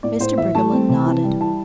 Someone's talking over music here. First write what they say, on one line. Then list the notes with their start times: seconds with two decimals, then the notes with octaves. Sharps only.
Mr. Briggerland nodded.
0.03 A2 D5
0.20 A2 C5
0.38 E3 E5
0.55 A3 A5
0.72 C4
0.89 C3
1.06 E3
1.24 G3
1.40 E4 A5